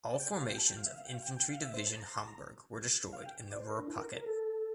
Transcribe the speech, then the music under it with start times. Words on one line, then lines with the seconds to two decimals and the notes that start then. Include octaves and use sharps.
All formations of Infantry Division Hamburg were destroyed in the Ruhr Pocket.
0.10 D5
0.20 G5
0.39 F5
0.48 G5
0.58 A5
0.67 G5
0.77 F5
0.86 E5
0.96 F5
1.05 G5
1.14 F5
1.23 G5
1.36 G5
1.48 F5
1.61 E5
1.74 C5
1.87 A5
2.00 A#5
2.08 C6
2.17 A5
2.27 A#5
3.13 F5
3.26 G5
3.50 D5
3.60 C5
3.70 A#4
3.79 D4
3.88 E4
3.98 A#4
4.16 A#4
4.26 A4